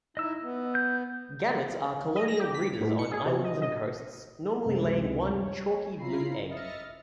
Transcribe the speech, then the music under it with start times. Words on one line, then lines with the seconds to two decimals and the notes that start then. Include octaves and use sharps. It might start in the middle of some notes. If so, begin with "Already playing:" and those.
Gannets are colonial breeders on islands and coasts, normally laying one chalky, blue egg.
0.17 D#4 E4 D#5 E6
0.43 B3
0.75 G6
2.16 D#5
2.28 A#6
2.40 G4
2.54 B6
2.81 A2
2.99 C#7
3.12 G#4
3.26 C3
3.44 D#5
3.62 D#5
4.64 C#2 F#2 C3 G#3 C4
5.37 C#5
5.99 C#3 E4 F4 A#5 B5 C7
6.50 D#5 E5 F6 A6 A#6 C#7